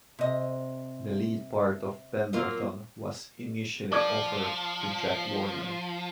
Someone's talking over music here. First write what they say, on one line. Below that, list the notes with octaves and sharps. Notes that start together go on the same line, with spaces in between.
The lead part of Pemberton was initially offered to Jack Warner.
C3 D#5
F#3 A#3 F4
F3 D5 D6 G#6